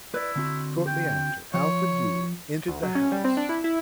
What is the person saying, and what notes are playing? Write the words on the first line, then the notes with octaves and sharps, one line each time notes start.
Shortly after, Alfred Yule entered the house.
E4 B4 D5
D3 C4 F#4
G5
F3 C#5
D2
F#3
C#4
G3
C4
D4
E4
E4